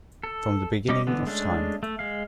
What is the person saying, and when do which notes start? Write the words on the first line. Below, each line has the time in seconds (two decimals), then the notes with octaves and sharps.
From the beginning of time.
0.23 A4
0.89 G3 C#4 G4 D#5 D6
1.07 D3 E3 B3
1.27 G#3 A3 C#4 D4
1.83 A3
1.99 G#3 F5